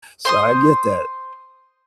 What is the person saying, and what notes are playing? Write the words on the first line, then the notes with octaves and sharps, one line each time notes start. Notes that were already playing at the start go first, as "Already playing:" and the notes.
so I get that.
C5 C6 D#6